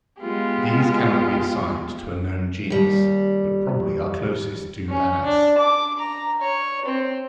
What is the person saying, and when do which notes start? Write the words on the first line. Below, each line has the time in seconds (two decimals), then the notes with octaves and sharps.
These cannot be assigned to a known genus, but probably are closest to "Anas".
0.21 G#3 B3 F4 G4 G#4
2.70 D#2 G3
4.89 C#4
5.24 D4
5.58 D6
5.99 A#5
6.42 C#5
6.85 C4